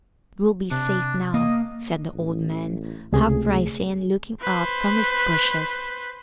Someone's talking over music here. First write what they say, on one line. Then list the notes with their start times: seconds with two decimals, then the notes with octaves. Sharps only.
"It will be safe now," said the old man, half rising and looking out from his bushes.
0.71 C3 D4
1.34 A#3 D#5
2.13 A1
3.13 C#2 C3 A3 G#4
4.42 B4 C5